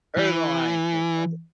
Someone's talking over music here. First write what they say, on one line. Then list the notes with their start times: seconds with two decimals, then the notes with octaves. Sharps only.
early on, I ain't care about it.
0.17 E3